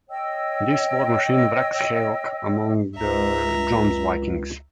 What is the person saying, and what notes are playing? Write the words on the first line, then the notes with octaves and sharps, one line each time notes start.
This war machine wreaks havoc among the Jomsvikings.
C#5 D#5 G5 E6
C#2 E5 A#5